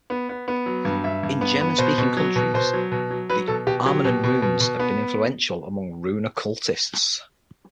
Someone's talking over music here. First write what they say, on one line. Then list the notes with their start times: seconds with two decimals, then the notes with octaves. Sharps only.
In German-speaking countries, the Armanen Runes have been influential among rune-occultists.
0.10 B3
0.29 B3
0.48 B3
0.66 F#3
0.85 G2
1.04 G2 E5
1.23 G2
1.41 B3
1.61 B3
1.78 B2 C5
1.98 B2
2.17 F#3
2.36 B2
2.54 B2 C5
2.73 F#3
2.92 B2
3.10 F#3
3.30 F#3 B4
3.48 B2 A4
3.67 B2 G4
3.85 F#3 G4
4.05 B2
4.24 B2
4.42 B2
4.60 B2
4.79 B3